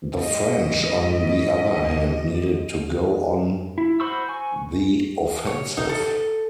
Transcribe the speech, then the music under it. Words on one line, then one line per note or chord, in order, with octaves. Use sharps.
The French on the other hand needed to go on the offensive.
G#2 D#5
E4
F#4 C5 B5 C#6 E6
G#5 C#6
C#5
D#4
A4